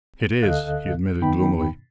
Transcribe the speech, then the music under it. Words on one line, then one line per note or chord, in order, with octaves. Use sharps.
"It is," he admitted gloomily.
D2 D3 A4 D#5 F5 F#6
F#2 D#3 B3 D#4 G5 B5